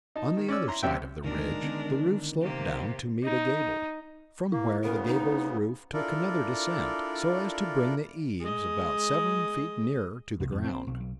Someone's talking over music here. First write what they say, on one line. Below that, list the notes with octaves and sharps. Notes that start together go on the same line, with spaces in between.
On the other side of the ridge, the roof sloped down to meet a gable, from where the gable's roof took another descent, so as to bring the eaves about seven feet nearer to the ground.
D#4 A5
D#3
C#4 D5 E6
E4 A#5 C6
F#2 C3 G4 E5 G5
F#1 D2 B2 D#3 G#3 D4 A#4
D3 B3 C#4
C3 A#3 G4
D#4
A#3 E4
D2 C#3 B3 A#4
D#4
D4 E4 F4 A4 A#4 D5
G#3 D#5
C2
F2
C4
B1
B1